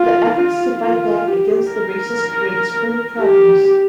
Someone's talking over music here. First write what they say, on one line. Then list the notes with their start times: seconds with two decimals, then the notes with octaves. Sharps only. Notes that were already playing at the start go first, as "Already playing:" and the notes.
The efforts to fight back against the racist creates further problems.
Already playing: F4
0.31 F4
0.79 F4
1.27 G4
1.75 A#4
3.20 G4